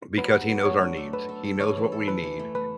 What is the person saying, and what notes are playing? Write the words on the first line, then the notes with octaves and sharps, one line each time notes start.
because he knows our needs. He knows what we need,
F#3 B4
B3
F#3
A3 C#5
D4
A3
A4 B4
A4
A4
E3 C#5
E3
A4
E3 B4
E3
A3
A3 B4